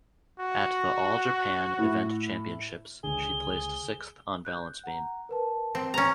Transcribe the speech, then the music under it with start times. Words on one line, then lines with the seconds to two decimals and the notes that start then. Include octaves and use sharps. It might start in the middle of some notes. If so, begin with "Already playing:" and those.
At the All Japan Event Championships she placed sixth on balance beam.
0.40 F#4
1.79 A2
3.04 C#2 D3 G#4 G7
4.45 F#6 G6
4.84 F#5 A#5
5.29 A#4 B4 A5
5.75 C4
5.94 C#4 A#5